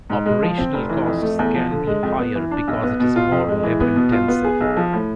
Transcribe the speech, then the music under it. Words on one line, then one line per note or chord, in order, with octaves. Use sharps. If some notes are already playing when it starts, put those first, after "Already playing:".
Operational costs can be higher because it is more labor-intensive.
G#2
G#3
F3
C4
F1
E3
F2
A3
E2
F3
D3
G#3
F2
B3
E3
D4
B1
B3
B2
F4
F2
G#3
E3
B3
B2
F4
B3
G#4
B1
F3
A2